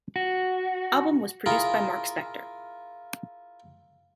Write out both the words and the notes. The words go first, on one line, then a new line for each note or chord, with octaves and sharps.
Album was produced by Mark Spector.
F#4
E4 F4 G#4 A#4